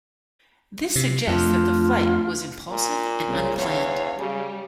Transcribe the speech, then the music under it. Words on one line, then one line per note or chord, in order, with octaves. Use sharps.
This suggests that the Flight was impulsive and unplanned.
C3
F2 A3 D4 F4
A#2
C2 C#3
E2 C#5 F5
C#3 G3